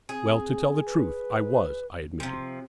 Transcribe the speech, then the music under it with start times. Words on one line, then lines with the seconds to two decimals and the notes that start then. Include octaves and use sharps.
"Well, to tell the truth, I was," I admitted.
0.09 C4 G#4
0.86 B4
2.20 C3 F3 C4